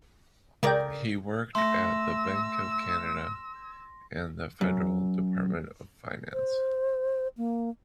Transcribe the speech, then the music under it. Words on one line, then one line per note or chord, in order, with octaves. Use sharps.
He worked at the Bank of Canada and the Federal Department of Finance.
C#2 C#3 A#4 D5 G5
A3 C6 E6 A#6
F#2
C5
A#3